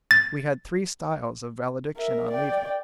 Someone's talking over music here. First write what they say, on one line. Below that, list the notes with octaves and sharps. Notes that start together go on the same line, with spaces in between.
We had three styles of valediction on leaving.
A6
A#4 E5
D5 G5